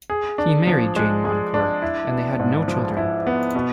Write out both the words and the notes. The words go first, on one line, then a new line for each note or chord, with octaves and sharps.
He married Jane Moncure and they had no children.
G#4
D4
F3
G#3
G#4
D4
E4
B3
G#2
F3
E4
B3
B2